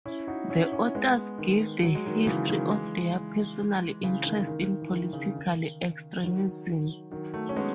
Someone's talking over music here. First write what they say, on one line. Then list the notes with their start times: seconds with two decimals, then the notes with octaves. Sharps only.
The authors give the history of their personal interest in political extremism.
0.06 C#4 E4
0.28 D#4 F#4
0.50 C#4 E4
0.72 C#4 E4
0.95 G#3 B3
1.38 D#3
1.83 F#3
1.95 G#3
2.06 D#3 F#3
2.26 C#3 E3
2.48 D#3 F#3
2.71 E3 G#3
4.03 C#3 E3
4.25 D#3
4.47 D#3
4.81 E3
4.91 D#3
5.13 C#3
5.36 D#3
6.23 D#3 F#3
7.11 D#3 F#3
7.34 F#3 A3
7.49 C#4
7.56 G#3 B3